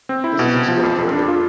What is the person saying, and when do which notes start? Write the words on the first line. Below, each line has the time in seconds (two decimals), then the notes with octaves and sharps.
This is explained further here.
0.09 C4
0.24 E4
0.39 B2
0.54 C3
0.68 F3
0.83 F2
0.98 F2
1.13 D4
1.28 F4